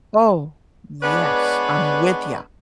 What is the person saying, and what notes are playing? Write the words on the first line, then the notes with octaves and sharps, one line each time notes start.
Oh, yes, I'm with ya.
G#3 B3 D4 B4 C#5 D5